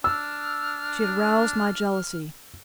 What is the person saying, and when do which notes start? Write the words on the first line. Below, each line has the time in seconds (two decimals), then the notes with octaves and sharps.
She had roused my jealousy.
0.04 D4 E6 F6